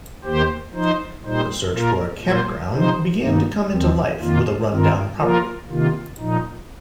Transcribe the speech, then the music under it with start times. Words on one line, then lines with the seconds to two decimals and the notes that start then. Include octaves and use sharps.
The search for a campground began to come into life with a run-down property.
0.24 D#2 D#3 A#3 G4 C5
0.73 F3 D#4 C5
1.23 A#2 G3 D#4 C5
1.72 A#2 A#3 F4 A#4
2.22 A#2 A#3 F4 C5
2.72 C3 F3 D#4 C5
3.22 G2 D#3 A#3 D#4
3.72 D#2 D#3 C4
4.20 F2 D#3 A#3 F4
4.70 G2 D#3 C4 F4 A#4
5.20 F3 A#3 F4 A#4
5.69 C3 D#3 A#3 F4
6.19 A#2 F3 D#4